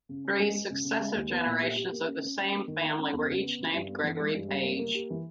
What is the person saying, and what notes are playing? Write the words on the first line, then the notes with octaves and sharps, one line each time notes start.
Three successive generations of the same family were each named Gregory Page.
C#3
C#4
G#3
G#3
C#3
C#3
G#3
D#2
B3
A#2
G4
G4
A#3
C#4
C#4
C#4
A#3
D#3
A#3
C#4
E2
C#3
B3
C#3
G2
B3
E3
G#3
G2
G3
A#3
A#3
G4
E3